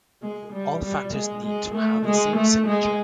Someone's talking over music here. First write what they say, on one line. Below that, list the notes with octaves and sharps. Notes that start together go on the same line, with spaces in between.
All factors need to have the same signature.
G#3
G3
G3
G#3
G#3
A3
G#3
A3
G#3